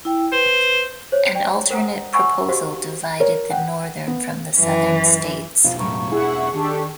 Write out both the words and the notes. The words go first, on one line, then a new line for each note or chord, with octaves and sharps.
An alternate proposal divided the northern from the southern states.
E4 G5
B4 C5
C5 C#5
D5 G5
A#4 C5 F#5 A#5 D#6
D#5 F#5 G#5 B5 C#6 E6
F#4 G4 C5 D#5 F5
A#4 C#5
F#5 G5
B3
F#2 E3
E1 F2 G#2 B2 F4
A2 C#3 F#3 C#6
E4 G#4 F#5
D#3 D4 G4 A4